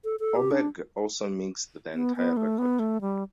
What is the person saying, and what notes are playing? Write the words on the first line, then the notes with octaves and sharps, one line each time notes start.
Oberg also mixed the entire record.
A4
A4
G4
D4
B3
B3
A3
B3
A3
G3